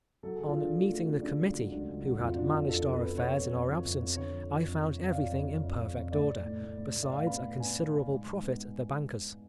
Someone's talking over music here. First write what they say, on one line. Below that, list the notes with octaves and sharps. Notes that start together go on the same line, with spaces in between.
On meeting the Committee, who had managed our affairs in our absence, I found everything in perfect order, besides a considerable profit at the banker's.
F#3 A4
F#3 G#4
F4
F#3 D4
F#3
A3
C#3
C#3 D4
A3
F#3
C#2 D4
C#2
F#3
F2 F4
F3 D4
F4
F2
F2 A4
F2
B4
B3
B3 C#5
F2
F2
F3
F2
F2
D3 C#5
F3
F3
F2
D3
F2
F5
F3 D5
F2
F2
F2
F2
F2
A2 D5
A2
A2
A2
A2
A2
D5
A2 F5
B3 B5
A2
B3 G#5
B3
A2
G#2
G#2
B3